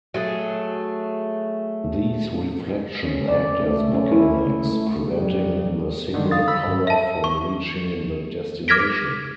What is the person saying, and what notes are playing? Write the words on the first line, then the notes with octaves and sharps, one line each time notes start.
These reflections act as bottlenecks, preventing the signal power from reaching the destination.
F#3 A3 G#4
C#4
D5
A3
C#4
E4
A3
C#3 F#3 G3
D3 D#3
F5 D#6 A6
B5 E6
G2
E5 A5
C#6
D6 F6 G#6 A#6 B6 D7